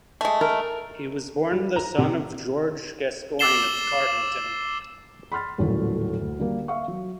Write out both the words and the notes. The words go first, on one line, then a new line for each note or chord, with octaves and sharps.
He was born the son of George Gascoigne of Cardington.
G#3 A3
A#4
G3
A#5
C3
D6 E6 A6 C7 E7 G7
B5 C6 F6 A6
D#1 A1 D3 F#3 A3 E4
D2
D3 G3 A#3
E5 F5 C#6
F#3